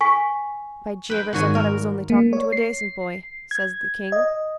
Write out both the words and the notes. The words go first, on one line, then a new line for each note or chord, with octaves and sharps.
"By Jabers, I thought I was only talking to a dacent boy," says the king.
G#5 C#6 B6
B4 G5
G#1 G#2 D#3 F#4 G#5
A#4
A#3
C#5
C7
G#6
D#5